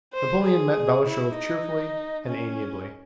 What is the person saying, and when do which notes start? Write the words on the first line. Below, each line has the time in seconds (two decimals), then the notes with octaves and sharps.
Napoleon met Balashev cheerfully and amiably.
0.14 C5
0.44 G#4
1.05 E4
1.35 D#4
2.27 C#4